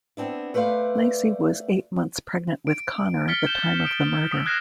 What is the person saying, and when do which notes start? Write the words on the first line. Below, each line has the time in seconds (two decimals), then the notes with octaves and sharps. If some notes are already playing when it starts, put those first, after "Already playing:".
Laci was eight months pregnant with Conner at the time of the murder.
0.17 B3 C4 D4 E4
0.54 A3 B4 C5 D5 F5
2.67 D7
3.28 F6 A6 B6 C#7 G7
3.46 G6 E7 G7
3.85 D#6 D7
4.32 D#6 E6
4.46 F6 F#6 G#6 A#6 C7 E7